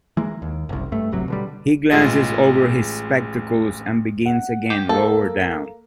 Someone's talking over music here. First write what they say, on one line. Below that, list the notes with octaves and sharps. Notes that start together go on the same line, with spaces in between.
He glances over his spectacles and begins again lower down.
E3 G#3 A#3
D#2
F#1 C2
G2 A3
D1 G1 C3 F#3
B2 D3 G3
A1 G#3 F4 G#4 D#5
F#5
G4
A#3 A4